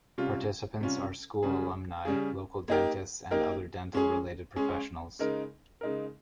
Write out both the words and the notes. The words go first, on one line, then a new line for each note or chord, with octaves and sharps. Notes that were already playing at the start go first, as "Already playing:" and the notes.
Participants are School alumni, local dentists and other dental-related professionals.
C3 G3 C#4 F4
C3 G3 C#4 F4
C#3 G3 C#4 G#4
C#3 G3 C#4 G#4
A#3 D#4 G4 A#4
A#3 D#4 G4 A#4
G#3 C#4 G#4
G#3 C#4 G#4
C#3 G#3 D#4 A#4
C#3 G#3 D#4 A#4